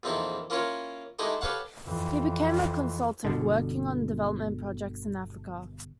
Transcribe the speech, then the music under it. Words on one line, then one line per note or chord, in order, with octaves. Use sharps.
He became a consultant, working on development projects in Africa.
A#1 E2 C4 D#4 E4 A4
A#3 C#4 E4 F4 A#4 C#5
G#3 A3 D#4 E4 G4 A4
G4 A4 B4 C#5 F5 F#5
F2 E3
G1 B2 D3